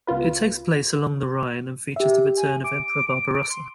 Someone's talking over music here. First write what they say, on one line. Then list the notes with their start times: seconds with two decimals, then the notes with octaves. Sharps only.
It takes place along the Rhine and features the return of Emperor Barbarossa.
0.07 C#2 B3 F4 B4
1.96 G4 E5
2.37 G#5
2.64 D6 D7
3.49 C6